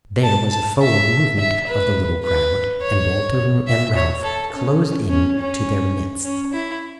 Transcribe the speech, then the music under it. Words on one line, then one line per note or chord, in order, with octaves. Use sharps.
There was a forward movement of the little crowd, and Walter and Ralph closed in to their midst.
A5
A5
E5
E5
B4
B4
C#5
E5
C#5
A4
C#4
C#4
C#4
C#4
E4